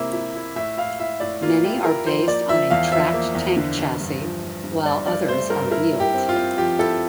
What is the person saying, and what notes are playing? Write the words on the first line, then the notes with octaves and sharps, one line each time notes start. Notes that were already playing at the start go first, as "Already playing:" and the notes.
Many are based on a tracked tank chassis, while others are wheeled.
Already playing: C3 A#3 E4 E5
E4
E4
A2 E5
E4 F5
E4 E5
A2 D5
A#3 F4
E4 G4
E4 A#4
F3 C5
A#3 D5
F3 E5
E2 F5
F3 E5
A#3
E2
D3
E2
G2
F3
G2
G2
G2 D5
G2 D5
A3 C5
G2 A#4
E4 A#4
E4
G4
C4
F4
C4
F3 G4
E4 A4